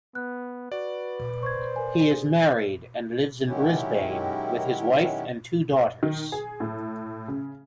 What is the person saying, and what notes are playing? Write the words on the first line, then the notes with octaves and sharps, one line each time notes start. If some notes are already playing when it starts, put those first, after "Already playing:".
He is married and lives in Brisbane with his wife and two daughters.
B3 F#6
F#4 B4 D5
C5 C#6 G#6
A#4 G#5
G#4
D#3 F#3 G#3 C#4 E4 G4
D#3
G#4
A2
C#3